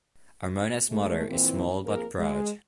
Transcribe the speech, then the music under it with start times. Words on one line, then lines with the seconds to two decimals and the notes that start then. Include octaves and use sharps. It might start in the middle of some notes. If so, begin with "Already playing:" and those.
Armona's motto is "Small But Proud".
0.90 G#2 B2 G#3 A3
1.28 A#2 E3 C4
1.84 F2 A#3 G#4 A#4
2.19 G#3